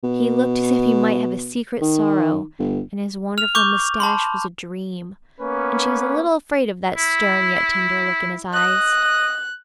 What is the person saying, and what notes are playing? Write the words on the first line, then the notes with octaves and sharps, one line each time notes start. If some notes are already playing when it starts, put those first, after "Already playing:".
He looked as if he might have a secret sorrow, and his wonderful moustache was a dream, and she was a little afraid of that stern yet tender look in his eyes.
B2
D#3
G1
F6 F7
C#6 D6 G6
A5 B5 C6
A#3 B3 C#4 B4
E4
D#5 F#6